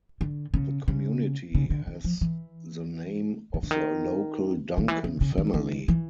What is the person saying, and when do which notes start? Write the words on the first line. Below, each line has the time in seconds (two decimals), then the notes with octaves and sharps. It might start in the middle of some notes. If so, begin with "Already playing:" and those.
The community has the name of the local Duncan family.
0.21 D3
0.54 C#3
0.88 C#3
1.55 C#3
1.70 D3
1.87 D#3
2.04 F3
2.21 E3
3.54 D#3
3.63 D3
3.71 D#3
4.78 D#3
4.88 E3
5.04 C#3
5.21 C#3
5.38 D#3
5.54 D#3
5.88 E3